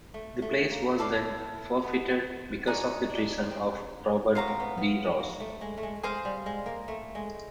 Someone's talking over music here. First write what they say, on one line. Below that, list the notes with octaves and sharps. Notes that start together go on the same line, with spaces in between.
The place was then forfeited because of the treason of Robert De Ros.
A3
A3
A#3
E4 A4 D5 F5
B3
C4
D4 D#4 G#4 C#5 F#5
D4
C4
B3 C5 F5 A#5 C#6
C4
B3
B3
A#3
A3
G#3
A3
G#3
G#3 G#4 C5 F5
G3
G#3
A#3
A3
G#3